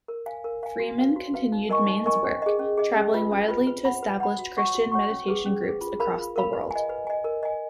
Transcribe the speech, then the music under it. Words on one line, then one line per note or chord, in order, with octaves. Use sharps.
Freeman continued Main's work, travelling widely to establish Christian meditation groups across the world.
A#4
F5 G#5
A#4
F5 G#5
F#4
B4 F5
F#4
B4 F5
D#4
A#4 D#5 G#5 C#6
D#4
A#4 D#5 G#5 C#6
C#4
G#4 D#5
C#4
G#4 D#5
C#4
F4 B4
C#4
F4 B4
B4
F#5 B5
B4
F#5 B5
F#4
C#5 F#5 C#6
F#4
C#5 F#5 C#6
C#4
G#4 B4
C#4
B4
G#4
F4
A#4 F5 B5
F4
A#4 F5 B5
B4
D#5 G#5
B4
D#5 G#5
A#4
D#5 G#5